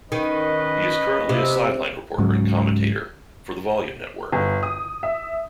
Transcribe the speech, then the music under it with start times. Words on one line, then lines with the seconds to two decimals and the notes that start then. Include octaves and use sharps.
He is currently a sideline reporter and commentator for the Volume Network.
0.12 D#3 C#4 B4 D#5
1.29 C3
2.18 C#2 G#2 C#3 F#3
4.32 G1
4.63 D#6
5.03 E5